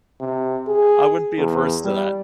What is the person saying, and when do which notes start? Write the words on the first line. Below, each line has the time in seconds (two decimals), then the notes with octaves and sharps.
I wouldn't be adverse to that.
0.21 C3
0.68 G#4
1.38 E2
1.84 G3